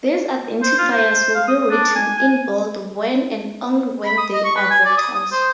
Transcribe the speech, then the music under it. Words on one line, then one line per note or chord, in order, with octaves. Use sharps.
These identifiers will be written in bold when and only when they are vectors.
C5
F4
C5
F5
D#6
D4
G#5
G#5
B5
D#6
D#5
C#6
B4
G#5
D5
D#6
D#6
C5